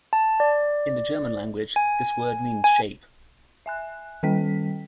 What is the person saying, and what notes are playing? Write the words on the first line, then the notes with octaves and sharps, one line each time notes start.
In the German language, this word means "shape".
A5
D5
G#5
G#5
E5 G#5 F#6
D#3 G3 C#4 A4 G5 B6